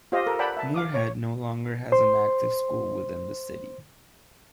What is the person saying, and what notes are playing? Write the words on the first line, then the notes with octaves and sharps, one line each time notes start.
Moorhead no longer has an active school within the city.
F4 G4 C5 D#5 F5
A4 A#4
B4 D5 F#5 G5 A5 B5
E5 A5
F5 D6 D#6
C#5 C#6
C5 C6